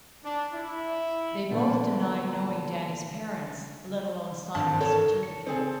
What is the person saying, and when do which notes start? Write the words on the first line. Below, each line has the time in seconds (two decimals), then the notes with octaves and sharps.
They both denied knowing Danny's parents, let alone signing the certificate.
0.24 D4
0.54 E4
1.50 A#2 D3 F3 B3 D4
4.55 G#1 D3 A5
4.80 A4 A#4 C#5 A5 E7
5.23 C#7
5.46 C4 G#4 A4